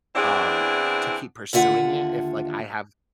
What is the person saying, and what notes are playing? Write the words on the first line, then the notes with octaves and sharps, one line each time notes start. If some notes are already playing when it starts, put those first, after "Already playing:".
um, to keep pursuing it, if like I have
E2 C4 D4 E4 G#4 F#5
D#2 D3 F4 E5 F#5